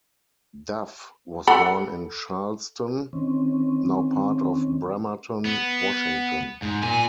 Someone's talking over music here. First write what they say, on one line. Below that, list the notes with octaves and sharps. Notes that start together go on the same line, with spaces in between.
Duff was born in Charleston, now part of Bremerton, Washington.
A4 F#5 B5
D#3 C4 C#4
B3
G#2
A#2 G#5